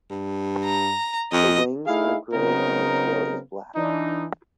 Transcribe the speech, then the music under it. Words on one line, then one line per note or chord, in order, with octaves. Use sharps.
The wings are grey and the tail is black.
G2
A#5
F2 D#5
A3 D#4 E4 G#4 F5
C#3 F#3 B3 C4 D#4 A#4
E3 D4 D#4